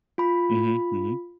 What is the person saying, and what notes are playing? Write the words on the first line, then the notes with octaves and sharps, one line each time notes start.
Mhm, mhm.
F4 B5